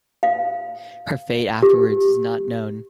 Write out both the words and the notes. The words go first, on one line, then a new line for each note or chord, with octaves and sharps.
Her fate afterwards is not known.
F5
G4